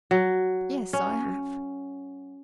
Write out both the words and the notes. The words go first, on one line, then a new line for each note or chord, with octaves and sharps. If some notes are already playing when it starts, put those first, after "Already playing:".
"Yes, I have."
F#3
C#4